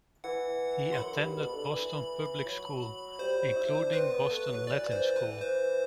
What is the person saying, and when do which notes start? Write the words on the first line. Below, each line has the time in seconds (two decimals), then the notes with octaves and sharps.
He attended Boston public schools, including Boston Latin School.
0.24 E3 F#5
0.92 C6
0.98 F#2 B5
1.15 G2
1.34 B2
1.53 D3
1.72 E3
2.46 F#3
3.19 G3 C5
3.38 F#3
3.57 E4
3.75 D4
3.93 C4 B4
4.11 B3
4.30 A3
4.49 F#3
4.67 E3 D5
4.92 C5
5.16 B4
5.41 C5